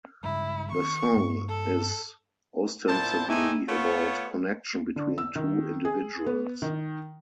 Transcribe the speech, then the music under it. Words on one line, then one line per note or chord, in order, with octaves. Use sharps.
The song is ostensibly about "connection" between two individuals.
G2 C#3 G#3 E4
D#3 C#6
G2 A#3
A4
A#2 D3 E4 C5 A5
G#2 A3 D#4 E4 G4 G#5
A3 B3 F4 C#5
D3
E6
D#3
G#4
B3
D#3